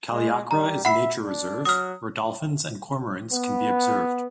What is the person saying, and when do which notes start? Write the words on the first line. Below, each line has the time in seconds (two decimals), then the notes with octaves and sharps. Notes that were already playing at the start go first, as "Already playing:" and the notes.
Kaliakra is a nature reserve, where dolphins and cormorants can be observed.
0.11 G#3
0.51 G3 A#5
0.85 E5 F#5 B5 C7
1.25 D4
1.65 F#3 D#6 F6
3.31 B3